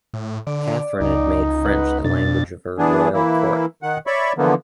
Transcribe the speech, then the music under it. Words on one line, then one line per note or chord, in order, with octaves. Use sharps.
Catherine had made French the language of her royal court.
A2
D3 D5
C#2 D#4
B4 F#5
F2 B2 D4 A6
E3 B3 D4 G#4
E3 A#3 E4
D#3 F#5
C#5 D5 E5 B5 C#6
D3 E3 F3 A#3 B3